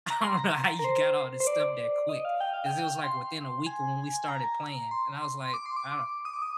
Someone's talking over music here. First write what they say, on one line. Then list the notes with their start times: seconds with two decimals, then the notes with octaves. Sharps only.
I don't know how you got all this stuff that quick, ‘cause it was, like, within a week when we started playing and I was, like, I o
0.10 A#5
0.22 C6
0.37 A#5
0.79 A#4
0.84 C5
1.40 C5
1.47 D5
2.09 D#5
2.25 F5
2.41 G5
2.54 F5
2.66 G5
3.04 C6
3.66 G#5
4.24 G#5
4.28 A#5
4.91 C6
5.54 D6
5.66 C6
5.76 D6
6.25 D#6
6.33 D6
6.42 D#6